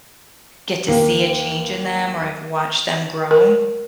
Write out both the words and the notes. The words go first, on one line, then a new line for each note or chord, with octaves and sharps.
get to see a change in them or I've watched them grow.
D#2 A#3
A#4